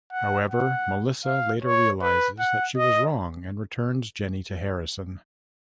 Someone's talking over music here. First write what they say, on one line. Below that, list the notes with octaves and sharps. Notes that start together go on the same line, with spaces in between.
However, Melissa later realizes that she was wrong and returns Jenny to Harrison.
F#5
F#5
F5
C#5
B4
F#5
D#5